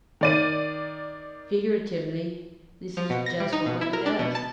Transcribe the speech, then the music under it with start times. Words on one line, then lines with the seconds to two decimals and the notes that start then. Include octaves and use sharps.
Figuratively, this is just what money does.
0.21 D#3 D5 D#7
2.97 F3
3.10 B2
3.26 A#6
3.40 G3
3.53 D#4
3.66 B2
3.81 E4
3.93 A#4
4.06 D4
4.19 B2
4.35 A5